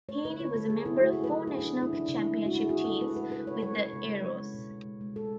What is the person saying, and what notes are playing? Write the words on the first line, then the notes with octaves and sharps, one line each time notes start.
Heaney was a member of four national championship teams with the Aeros.
A3 C#5
D3 B4
D3 C#5
C#3 A4
F#3 G#4
C#3 E4
A3 F#4
C#3 G#4
B4
F#3
C#3 G#4
A3 D4
C#3 E4
F#3 D4
C#3
E4
A3
G#3
F#4
G#3 E4
G#4
C#3 F#4
C#3 A4
G#3 B4
G#3 B4
C#3 B4
C#3 C#5
G#3 C#5
G#3 B4
C#3
C#3
G#3
G#3
B2
B2
G#3
G#3
B2 A4